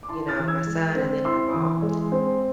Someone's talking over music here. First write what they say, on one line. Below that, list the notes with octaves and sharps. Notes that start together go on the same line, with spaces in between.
you know, my son and then her mom.
D6
E4 A5 C6
F6 A6
E3
E6 G#6
G#3
C4
E4 C6 E6
E3
G#3
C4